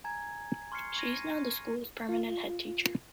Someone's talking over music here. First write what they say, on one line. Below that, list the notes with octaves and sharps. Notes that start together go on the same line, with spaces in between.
She is now the school's permanent headteacher.
G#5 A#5 G#6
C6 C#6 F6 G#6 C7 C#7
C#6 G#6 A#6 C7 D#7
F4